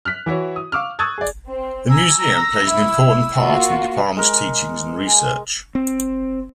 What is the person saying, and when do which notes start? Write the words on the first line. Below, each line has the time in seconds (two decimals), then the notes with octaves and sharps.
The Museum plays an important part in the Department's teaching and research.
0.05 F6 F#6 B6
0.26 E3 E4 F#4 C#5
0.56 D#6
0.72 F5 C#6 D6 E6 F6
0.99 C#6 D#6 E6 F#6 G#6 A6
1.18 G#4 D5
1.48 C4
1.90 G#5 A#5 E6
2.18 A#5 A#6
2.64 E4
3.38 A#3 F4 F#4
4.17 G#3 A#4
5.07 G#5
5.75 C4